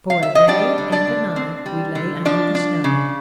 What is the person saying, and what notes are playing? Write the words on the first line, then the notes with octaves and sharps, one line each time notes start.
For a day and a night we lay under the snow.
F5
E5
D#5
G3 D4 D5
D3
D4 D5
D3
C4
G3
D3
F3 D4 D5
D4
C#3